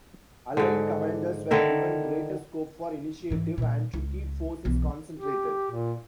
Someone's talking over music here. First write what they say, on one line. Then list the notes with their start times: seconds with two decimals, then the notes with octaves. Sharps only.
Allied commanders were given greater scope for initiative and to keep forces concentrated.
0.57 G#2 D3
1.51 D3 D#3 E4 A#4
3.30 G#2 E3
3.58 A#2 G3
3.94 C#2
4.65 B1 E3
5.17 G4
5.71 A#2